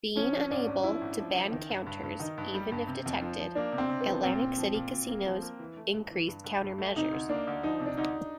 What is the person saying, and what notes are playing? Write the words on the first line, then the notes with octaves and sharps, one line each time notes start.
Being unable to ban counters even if detected, Atlantic City casinos increased countermeasures.
F3 C#4
F3
G#2 D4
G#1
F3 E4
G#1
F3
F3
D#3
G2
G2
G2
D#3 D#4
G2
G3
G2
C3
F2
F3
F3
A#3 D4
C3
C4
C3
B3
F3
A#2 C4
A#2
F3
A#2
A#2
A#3
F3
A#3
E3
A3
G2
E3
G2
G2
G2
A3
C3 D#4
D2
A#3 D4
D2
F3 D#4
C3
D4
D2 D#4